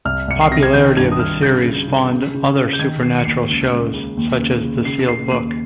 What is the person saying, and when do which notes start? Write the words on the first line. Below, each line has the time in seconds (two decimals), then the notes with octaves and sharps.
The popularity of the series spawned other supernatural shows, such as "The Sealed Book".
0.05 C2 F6
0.28 C2 C#7
0.41 C7
0.51 C3 A#6
0.63 G#6
0.73 D#3 G6
0.97 G2 G#6
1.12 D#6
1.19 G2 F6
1.42 C#3 G6
1.65 C#3
1.88 C#3
2.11 C#3
2.34 C#3
2.57 C#3
2.73 G6
2.79 D#3 G#6
3.02 D#3 C7
3.19 C#7
3.25 D#2 C7
3.48 C#2
3.71 C#2
3.94 C#3
4.17 D#2
4.39 C#3
4.63 C#3
4.85 C#3 C7
5.09 C#3 C7
5.31 D#2 C7